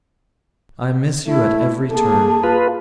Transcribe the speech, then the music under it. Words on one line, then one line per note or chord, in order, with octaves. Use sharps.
'I miss you at every turn.
A3 E4
A#3 G#4 A4 A5
F4 B4